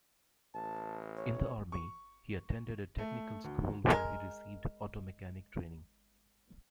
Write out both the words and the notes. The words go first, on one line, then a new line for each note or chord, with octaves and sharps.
In the Army, he attended a technical school where he received auto mechanic training.
A1 A5
C#5
C#6
A3
D2
G#3 A#4